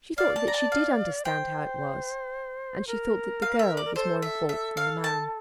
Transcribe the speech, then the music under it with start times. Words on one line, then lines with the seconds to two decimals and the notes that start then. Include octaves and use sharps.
She thought that she did understand how it was, and she thought that the girl was more in fault than the man.
0.17 D5 F5
0.36 A5
0.48 A#5
0.54 A5
0.72 F5
1.25 C5 G5
2.87 A#4
3.42 F5
3.59 E5
3.77 D5
3.85 A#4
3.95 A4 C5
4.22 E5
4.49 E5
4.77 F5
5.04 A5